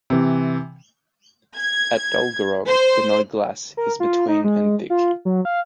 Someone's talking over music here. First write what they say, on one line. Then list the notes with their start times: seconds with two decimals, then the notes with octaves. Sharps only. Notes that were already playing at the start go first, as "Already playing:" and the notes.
At Dolgarrog the Nod Glas is between and thick.
0.10 C3 E3
1.56 G#6
2.68 C5
3.77 A#4
4.00 F4
4.28 D#4
4.44 G#3
4.90 F4
5.25 F#3
5.45 F5